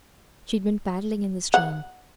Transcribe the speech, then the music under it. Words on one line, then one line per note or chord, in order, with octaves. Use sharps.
She'd been paddling in the stream.
F#5